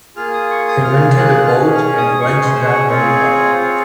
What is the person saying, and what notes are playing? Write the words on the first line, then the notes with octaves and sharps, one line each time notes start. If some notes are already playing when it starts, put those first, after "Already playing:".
They rented a boat and went down the river.
A#3 F4 G#4 F6
D#6
C#6
D#6
A#3 F4 G#4 F6
F#6
F6
C#4 G#4 F#6
F6
D#6
C#4 G#4 C#6
C6
C5
C#5
C4 F4 G#4 C#5
C4 F4 G#4